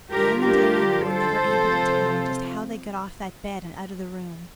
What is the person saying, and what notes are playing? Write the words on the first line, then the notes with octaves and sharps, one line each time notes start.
Anne and Diana were never able to tell just how they got off that bed and out of the room.
D3 G3 D4 F4 G4 A#4
G4 A#4
A4 C5
C3 F3 C4 F4